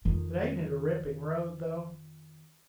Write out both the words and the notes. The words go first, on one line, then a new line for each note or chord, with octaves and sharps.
But ain't it a ripping road, though?
F2 D#3